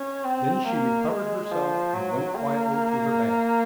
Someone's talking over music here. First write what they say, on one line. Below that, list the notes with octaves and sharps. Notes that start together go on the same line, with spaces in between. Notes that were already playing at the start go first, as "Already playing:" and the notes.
Then she recovered herself and went quietly to her bath.
Already playing: C#4
C4
A#3
G#3
F3
F#3
A#3